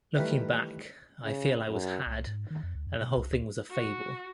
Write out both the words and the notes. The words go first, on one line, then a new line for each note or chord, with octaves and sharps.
Looking back, I feel I was had and the whole thing was a fable.
D#3 E3 G3 A3 A#4 B4
C#3
F#2
C2
G#2
D#3
F2
D2
F2
B2
C2
D2
F#4